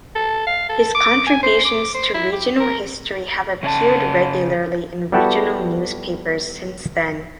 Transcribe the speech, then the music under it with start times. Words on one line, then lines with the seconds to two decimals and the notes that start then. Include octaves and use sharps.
His contributions to regional history have appeared regularly in regional newspapers since then.
0.16 A4
0.47 F5
0.69 A4
0.95 D6
1.27 G#5
1.43 C5
1.65 D6
1.94 C5
2.14 E4
2.33 G4
2.60 A#4
3.63 C#3 C#4 D5 A5
5.12 G3 B3 E4 F#4 G4 A4